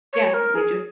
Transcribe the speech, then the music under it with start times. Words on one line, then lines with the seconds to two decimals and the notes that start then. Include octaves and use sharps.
Yeah, they just
0.13 C#5
0.34 A#4
0.55 G#4